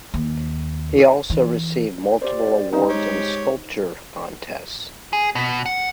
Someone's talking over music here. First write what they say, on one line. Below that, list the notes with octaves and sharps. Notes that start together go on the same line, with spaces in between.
He also received multiple awards in sculpture contests.
D#2
E3
G4 C5 D5
C#4 D#4 C5
G#3 G4 C#5
G#4
B2
F#5